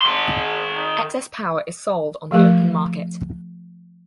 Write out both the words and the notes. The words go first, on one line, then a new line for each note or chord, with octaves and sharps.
Excess power is sold on the open market.
D#3 C6
F3 A3 G4 A#4